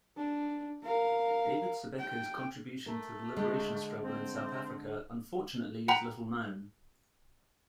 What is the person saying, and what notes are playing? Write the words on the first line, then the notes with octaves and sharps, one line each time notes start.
David Sibeko's contribution to the liberation struggle in South Africa unfortunately is little known.
D4
A#4 F5
G5
A3 A#4
D3 G#3
C4
F#5 G5 A#5 B5